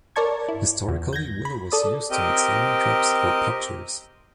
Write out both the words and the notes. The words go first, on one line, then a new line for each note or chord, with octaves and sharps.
Historically willow was used to make salmon traps or "putchers".
A#4 C#5 D5 A5 C#6 G#6
E4
E2
G6 G#6 A#6
B5
A4 D5 D#6
C4 G4 A#4 D#5